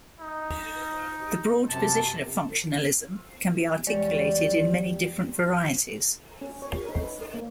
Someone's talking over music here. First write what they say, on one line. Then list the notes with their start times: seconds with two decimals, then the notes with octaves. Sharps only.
The broad position of "functionalism" can be articulated in many different varieties.
0.20 D#4
1.69 F#2 C3 A5
3.87 E2 G3 G#3 G4 C#5 D5
6.41 C#4
6.62 C#5
6.89 D#4
7.03 B4
7.34 A#3